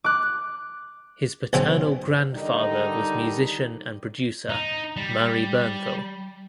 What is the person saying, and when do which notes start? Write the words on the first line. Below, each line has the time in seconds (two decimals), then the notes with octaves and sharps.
His paternal grandfather was musician and producer Murray Bernthal.
0.04 D6 F#6
1.53 B1 C#3 C4
2.34 D3 D#3 G3 D#4
4.49 D#4
4.97 G3